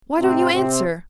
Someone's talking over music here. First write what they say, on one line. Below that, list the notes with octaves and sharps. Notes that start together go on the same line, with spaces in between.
Why don't you answer?
A2 C3 C4
C3 C4